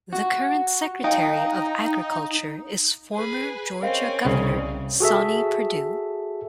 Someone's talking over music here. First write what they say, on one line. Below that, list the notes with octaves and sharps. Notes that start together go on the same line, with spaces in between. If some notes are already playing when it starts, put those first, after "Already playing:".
The current Secretary of Agriculture is former Georgia Governor Sonny Perdue.
F#4
D#4 F5 G5
G#4 B4
C4 C#4 A#4 D#5 F5
C2 C#3
F#4 G#4 A4 E5